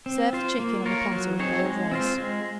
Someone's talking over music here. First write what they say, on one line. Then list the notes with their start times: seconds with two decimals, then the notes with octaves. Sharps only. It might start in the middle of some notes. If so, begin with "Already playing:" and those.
Serve the chicken on a platter with boiled rice.
0.06 C4
0.33 F4 C5
0.59 A#3
0.85 F4 A#4 C#5
1.12 F#3
1.39 C4 D#4 G#4 C#5
1.66 G#3
1.92 C4 F4 C5
2.18 G#3